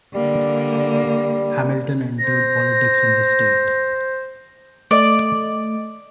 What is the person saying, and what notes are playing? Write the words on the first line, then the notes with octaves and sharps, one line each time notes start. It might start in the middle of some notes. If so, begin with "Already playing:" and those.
Hamilton entered politics in the state.
D3 G3 A#3
C5 A#6
A3 D5 D#5